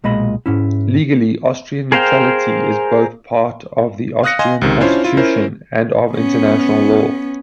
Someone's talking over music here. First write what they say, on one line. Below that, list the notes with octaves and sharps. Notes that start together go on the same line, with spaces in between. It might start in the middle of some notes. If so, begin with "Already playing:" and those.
Legally, Austrian neutrality is both part of the Austrian constitution and of international law.
B1 A#2 G#3 D#5 B5
G#2 C#4 E4
G#4 A#4 C5 F5 G5
F5 D#6 F#6 A#6 C#7
D#5 F5 G#5 C6
C#2 C3 D#3
C#4 D4 E4 F4 C5 C#5
E4 F4
C#4 E4 A#4 C5
B3 C#4